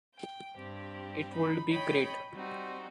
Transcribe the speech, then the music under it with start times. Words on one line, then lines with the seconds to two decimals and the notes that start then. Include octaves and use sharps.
It would be great.
0.16 G5
0.57 G2 C4 G4
1.34 D#4 B5
1.70 C#5 D#5 G5 B5
2.34 G3 C4 D#4 F#4